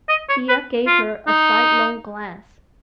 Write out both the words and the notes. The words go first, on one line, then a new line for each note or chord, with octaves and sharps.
Thea gave her a sidelong glance.
D#5
C#5
B4
F4
D#4